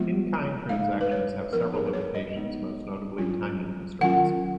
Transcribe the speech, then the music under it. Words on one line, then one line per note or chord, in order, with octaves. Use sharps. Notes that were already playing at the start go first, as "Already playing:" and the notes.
In-kind transactions have several limitations, most notably timing constraints.
Already playing: F3 G#3 B3 F4
G#3 D#4 F5
B4
C#5
F3 B3 D#4 A#4
G#4
B4
C#5
D#5
G#3 B3 D#4
F#3 C#4 F4
D#3 F#3 C#4 F4 F#5